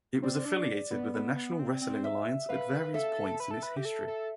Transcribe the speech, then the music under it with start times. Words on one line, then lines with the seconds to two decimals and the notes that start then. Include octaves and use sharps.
It was affiliated with the National Wrestling Alliance at various points in its history.
0.22 C4 D5
0.45 D4
0.91 B3
1.14 B3
1.36 B3
1.59 C4
1.81 C4
2.04 E5
2.49 B4 F5
2.94 A4 E5
3.40 B4
3.51 A4
3.63 B4
3.77 G4
3.85 A4
4.08 A4